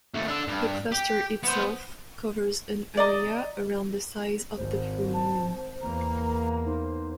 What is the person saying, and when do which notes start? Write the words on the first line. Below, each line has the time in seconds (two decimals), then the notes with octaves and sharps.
The cluster itself covers an area around the size of the full moon.
0.15 D#2 A3
0.28 D4 A4
0.48 G2
0.92 G4
1.44 B3 C5
2.97 D5 D#5 A#5
4.57 G#1 C5
5.13 A5
5.81 E2 A#3 A#5
6.66 D#4 C5